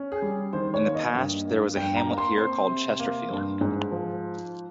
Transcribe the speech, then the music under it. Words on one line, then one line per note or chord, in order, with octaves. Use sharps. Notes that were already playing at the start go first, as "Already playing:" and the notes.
In the past there was a hamlet here called Chesterfield.
Already playing: C#4
G#4
G3
D#3 C5
C#5
A#3
D#5
G2
A#3
G2 G5
A#5
A#3
C6
C4 C6
C3
A#3
G2
G#2
F3